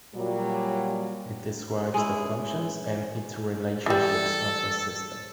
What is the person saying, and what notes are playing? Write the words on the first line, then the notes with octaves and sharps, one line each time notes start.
It describes the functions and interrelationships of a system.
A#2 F#3 G3
G#3 C#4 E4
E3 G3 A4